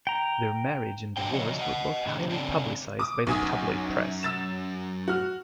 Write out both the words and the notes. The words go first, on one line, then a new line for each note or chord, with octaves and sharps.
Their marriage and divorce were both highly publicised by the tabloid press.
G5 A#5
A#2 F#3 G3 D4 C5 G5
C#3 F3 F#3 C#5 D#5
D#5 F#5
A2 C3 D#3 D4
C#3 C4 D4
D6 D#6
B1 F#2 G#5 D#6
E6 A6 E7
F#4 F6